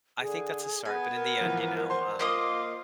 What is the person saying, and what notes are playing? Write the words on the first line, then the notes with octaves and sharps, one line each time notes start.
I think that's a start, but in the end, you know, um,
D3 G#4
B3 G#4 G#5
A#4
E3 F3
C5 F#5 C6
A#3 F4 D#5 D6 D#6